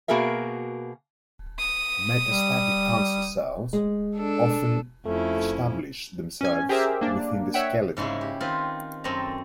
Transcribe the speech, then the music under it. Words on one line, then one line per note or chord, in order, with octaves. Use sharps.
Metastatic cancer cells often establish themselves within the skeleton.
B2 A#3 F#4 G#4 A#4 E5
D#6
G3
G#3
D4 A4
F2 A3 C#4 E4
C#4 G#5
G4 G#4 A#4 C5 E5
A#3 D4
C#5 E5 F#5 G5
G#2 C#3 G#3 A#3 E4
G4
D#3 C4 F4 B4
F#2 C4 A4 D#5 A#5